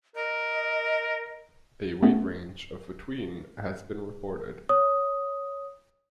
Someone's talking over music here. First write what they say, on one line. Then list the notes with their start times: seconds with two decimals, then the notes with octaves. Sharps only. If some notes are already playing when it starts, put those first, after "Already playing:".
A weight range of between has been reported.
0.16 A#4 D#5
2.03 A3 B3 C#4
4.69 C#5 D#6